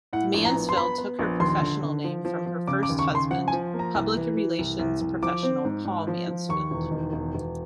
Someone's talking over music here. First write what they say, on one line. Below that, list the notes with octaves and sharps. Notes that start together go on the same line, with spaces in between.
Mansfield took her professional name from her first husband, public relations professional Paul Mansfield.
A2 F#5
A#1
A#5
B3
C6
B3 B5
B3
A#1
D#2 C6
D3
D3
F3
F3
F3
C#3 D6
D6
D#2
C#6
C#3
C6
F3 F#5
G#5
F3
A#3
A#5
C2
E3
E3
C2
C2
C2
F3 D6
C4
G#2
G#2
F3
F3
D#2 C#6
E1
D#3
E1
E1